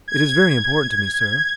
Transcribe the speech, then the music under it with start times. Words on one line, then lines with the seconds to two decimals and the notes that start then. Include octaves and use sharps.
"It is very important to me, sir."
0.08 G#6